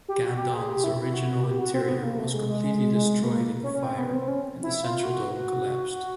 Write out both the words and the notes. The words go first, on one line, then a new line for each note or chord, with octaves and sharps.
Gandon's original interior was completely destroyed in the fire and the central dome collapsed.
G4
F#4
G4
G#4
G4
E4
F#4
G4
F#4
C4
B3
A#3
A3
G#3
G#3
G#3
G#3
A#3
C#4
C#4
C4
B3
C4
C#4
E4
F4
F#4